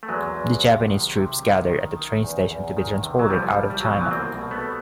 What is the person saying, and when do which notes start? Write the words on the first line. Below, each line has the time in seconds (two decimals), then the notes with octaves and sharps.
The Japanese troops gather at a train station to be transported out of China.
0.03 A3
0.09 E2 F#3 G#3
0.35 E2
0.63 C3
0.89 D#3
1.16 C3
1.43 D#3
1.70 D#3
1.97 D#3
2.23 E2
2.51 E2
2.77 D#3
3.04 C3
3.19 F#3
3.30 C2 F3 G3
3.57 C2
3.70 G3
3.80 B2 F#3
3.91 F3
4.01 E3 F#3
4.11 C2 A#3 C4
4.38 B2
4.51 A3 B3